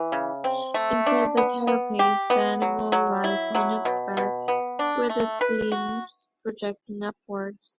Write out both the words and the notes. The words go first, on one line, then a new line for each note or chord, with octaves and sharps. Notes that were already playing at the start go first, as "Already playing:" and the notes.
Inside the carapace, the animal lies on its back, with its limbs projecting upwards.
Already playing: E3
C#3
C4
A3
D4
B3
B3
G4
B3
F#3
F#3
E4
F#3
B2
B2
B3
D4
A3
B4
F#4